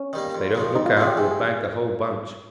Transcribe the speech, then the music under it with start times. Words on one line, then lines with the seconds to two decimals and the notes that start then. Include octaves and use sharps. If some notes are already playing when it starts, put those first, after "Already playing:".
If they don't look out we'll bag the whole bunch.
Already playing: C#4
0.13 D#3 G3 A#3
0.35 F2
0.55 C#3 F3
0.75 F2 D#4
0.86 F4
0.97 C#3 F3 F4
1.07 G4
1.17 C3 G#4
1.31 G#4